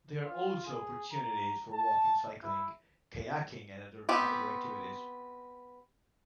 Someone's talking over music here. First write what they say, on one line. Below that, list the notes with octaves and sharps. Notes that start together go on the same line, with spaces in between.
There are also opportunities for walking, cycling, kayaking, and other outdoor activities.
F4
G#4
A#5
A5
E4
B3 C4 G4